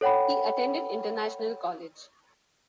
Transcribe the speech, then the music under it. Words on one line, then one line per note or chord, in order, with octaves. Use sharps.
He attended International College.
A4 C#5 F#5 G5 B5